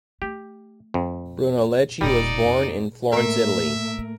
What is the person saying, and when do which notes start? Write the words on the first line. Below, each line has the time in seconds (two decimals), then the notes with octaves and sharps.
Brunelleschi was born in Florence, Italy.
0.22 A3 G4
0.94 F2
2.01 D#1 A#2 G3 D#4 D5
2.45 F2
3.13 A2 A3 A#3 A#4 E5